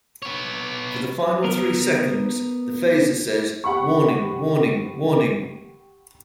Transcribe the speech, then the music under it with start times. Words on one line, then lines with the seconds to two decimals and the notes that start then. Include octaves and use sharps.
For the final three seconds, the phaser says Warning, Warning, Warning.
0.22 B3 C#5
1.44 B3 A#4
3.64 G4 F#5 B5 C#6